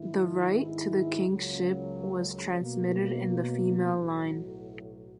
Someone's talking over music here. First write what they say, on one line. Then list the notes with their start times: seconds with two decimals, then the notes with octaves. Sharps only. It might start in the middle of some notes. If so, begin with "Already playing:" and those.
The right to the kingship was transmitted in the female line.
Already playing: G#2 D#3 G#3 B3 E4
1.26 C#2 C#3 F#3 A#3
2.60 B2 F#3 A#3
3.94 B1 A2 F#3